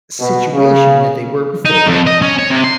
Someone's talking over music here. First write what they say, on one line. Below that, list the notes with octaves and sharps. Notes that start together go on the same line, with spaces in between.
situation that they were before.
B2
C#3
D#4
F2
D#5
C#4
C#5
C3
C6